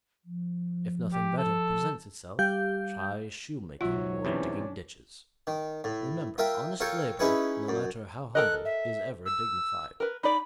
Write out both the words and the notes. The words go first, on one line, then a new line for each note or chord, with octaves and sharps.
If nothing better presents itself, try shoemaking or digging ditches. Remember honest labor, no matter how humble, is ever dignified.
F3
G4
A4
G3 G4 F5 G6
B1 G#2 F#3 F4 F#4 C#5 E5
E2 C3 E3 C#4 D4
D#3
A2
F4 A#4 E5 G5
F4 A4 A#4 C#5 F5 G5
C#4 D#4 E4 G#4 B4 C#5
F#2
A4 A#4 D#5 F#6
E5
E6
A#4 B4
D#4 D5 B5